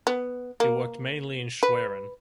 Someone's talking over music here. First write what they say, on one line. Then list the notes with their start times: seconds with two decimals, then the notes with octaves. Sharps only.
He worked mainly in Schwerin.
0.07 B3
0.60 A#3
1.63 B4